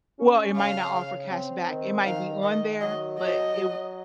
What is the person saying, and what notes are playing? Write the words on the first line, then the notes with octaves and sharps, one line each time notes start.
Well it might not offer cash back it might be on there, but it w
C#4
C#3 F5
C#3
C4
D#3
D#3 F5
D#3 D#5
F#3 D#5
F#3 D#5
F#3